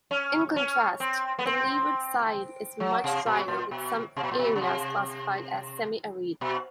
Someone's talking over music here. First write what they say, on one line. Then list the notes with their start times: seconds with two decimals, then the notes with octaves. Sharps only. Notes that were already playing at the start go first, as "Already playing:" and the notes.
In contrast, the leeward side is much drier with some areas classified as semi-arid.
0.11 C#4
0.56 C#4
1.00 C4
1.39 B3
1.45 C4
2.80 F#3
3.04 C3
3.26 B2
3.48 A#2
3.71 B2
4.17 C3
4.23 B2
4.32 A#2
4.39 B2
4.56 C#3
4.61 C3
6.41 B2